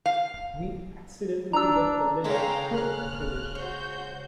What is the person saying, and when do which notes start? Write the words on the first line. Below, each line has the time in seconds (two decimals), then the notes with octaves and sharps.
We accidentally left the lid off the petri dish.
0.06 F5
1.53 D4 A#5 E6
2.24 C#3 G#3 B3 G#4 A4 F5 G5 A#5
2.71 A#3 A#4 F6 F#6
3.55 F#4 C5 C#5 G6